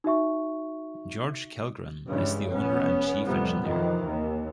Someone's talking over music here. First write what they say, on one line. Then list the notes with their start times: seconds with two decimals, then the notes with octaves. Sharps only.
George Kellgren is the owner and Chief Engineer.
0.04 D#4 F#4 E5 C#6
2.06 G2 C#3 E3 G#3
2.48 F1 B3 C#4
3.24 F2 A2 C3 G3 B3
3.60 F2 C3 D#3 E3
4.03 D#2